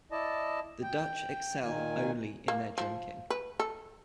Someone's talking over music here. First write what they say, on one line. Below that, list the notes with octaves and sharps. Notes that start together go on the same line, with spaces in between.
The Dutch excel only in their drinking.
E4 D5 D#5 A5
G5
A#2 D#3 G#5
A#3
F3
B4
A4